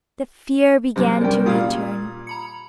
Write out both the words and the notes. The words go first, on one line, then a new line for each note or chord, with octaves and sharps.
The fear began to return.
F#2 C3
G3 C#4 D4 A#4 G5
A#2 G3 F5 D#6 G#6
A#5 B5 C#7